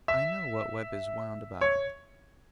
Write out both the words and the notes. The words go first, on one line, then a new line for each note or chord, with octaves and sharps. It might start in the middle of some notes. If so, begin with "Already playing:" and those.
I know what web is wound about you.
E5
C#5